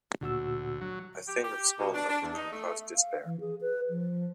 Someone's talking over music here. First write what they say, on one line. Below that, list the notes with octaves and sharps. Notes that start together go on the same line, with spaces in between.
A thing of small note can cause despair.
D2 A#2 F#4 E6
F#3
G4
G4
B2
D4
D4
E2
D#4
A3
F5
E3
G#4
B4
F3